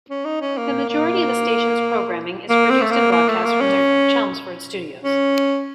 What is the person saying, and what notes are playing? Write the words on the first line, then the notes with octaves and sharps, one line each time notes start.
The majority of the station's programming is produced and broadcast from their Chelmsford studios.
C#4
D#4
C#4
A#3
A#3
A#3
C4
A3
A#3
A#3
A3
A#3
C#4
C#4